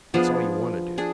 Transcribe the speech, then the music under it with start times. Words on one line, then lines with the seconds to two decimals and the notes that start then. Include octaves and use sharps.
"That's all you want to do."
0.14 F3 B3 D4 G#4
0.98 D4 G#4